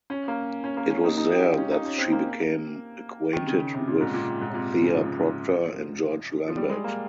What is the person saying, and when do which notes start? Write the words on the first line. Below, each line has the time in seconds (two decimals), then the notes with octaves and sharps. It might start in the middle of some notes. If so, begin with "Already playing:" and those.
It was there that she became acquainted with Thea Proctor and George Lambert.
0.10 C#4
0.28 A#3
0.64 C#4
0.77 A#3
0.90 C#4
1.04 D#4
1.17 D#4
1.32 G4
1.44 F4
1.58 C#4
1.72 D#4
1.85 C#4
1.98 C4
2.12 A#3
3.33 D#3
3.47 C#3
3.60 C#3
3.74 C3
3.87 A#2
4.00 G#2
4.14 A#2
4.41 G#2
4.50 C3
4.54 A#2
4.82 C#3
4.95 F3
6.48 F3
6.57 G3
6.70 G#3
6.84 A#3